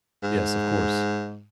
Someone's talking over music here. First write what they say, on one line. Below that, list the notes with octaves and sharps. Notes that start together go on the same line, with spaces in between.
Yes, of course.
G#2